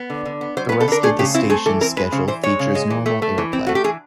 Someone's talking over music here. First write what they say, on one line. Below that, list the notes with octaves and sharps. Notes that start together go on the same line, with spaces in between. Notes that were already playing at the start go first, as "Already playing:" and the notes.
The rest of the station's schedule features normal airplay.
Already playing: B3
D3
D3
B3
F#3 C5
B4
B3
A4
D3 A#4
A3 G#4
C#3 G4
C4 E4
A3 G#4
E3 A4
C4 A#4
G#3 B4
C#3 C5
E3 C5
G#3 C#5
C#3
G#3
E3
A3
A3
E3
C4
A3 F#4
G4
E3 G#4